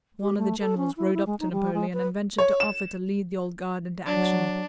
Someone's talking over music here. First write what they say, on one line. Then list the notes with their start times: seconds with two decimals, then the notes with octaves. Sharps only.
One of the generals rode up to Napoleon and ventured to offer to lead the Old Guard into action.
0.20 G4
0.38 A3
0.60 A4
0.77 C#4
0.97 E4
1.14 E4
1.26 G#3
1.40 D#4
1.52 G3
1.74 G#3
1.93 B4
2.38 C#5
2.60 E7
4.06 F#3 D4